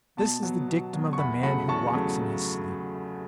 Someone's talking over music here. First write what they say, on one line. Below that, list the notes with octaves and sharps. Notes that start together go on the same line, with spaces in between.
This is the dictum of the man who walks in his sleep.
B2 A5
F#3 B3
B2
F#3 B3
C#6
E2 F#5 B5
C#3 F#3 A3 F#5 B5
E2 A5 C#6
C#3 F#3 A3